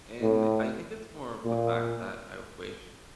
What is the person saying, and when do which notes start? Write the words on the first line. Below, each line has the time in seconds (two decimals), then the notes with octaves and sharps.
And I think it's more of the fact that I wish
0.22 A2
1.45 A#2